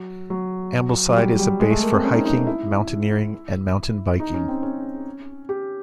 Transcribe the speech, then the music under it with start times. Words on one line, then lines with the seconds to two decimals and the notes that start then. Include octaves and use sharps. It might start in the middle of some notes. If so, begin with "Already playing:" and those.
Ambleside is a base for hiking, mountaineering and mountain biking.
Already playing: F#3
0.30 F#3
1.09 F#3
1.17 G3
1.39 G3
1.60 G#3
1.71 A3
1.82 A#3
1.93 C4
2.04 C#4
2.14 D#4
2.26 D#4
2.36 D#4
2.47 E4
4.20 D#4
4.34 C#4
4.48 C4
4.63 C#4
5.49 G4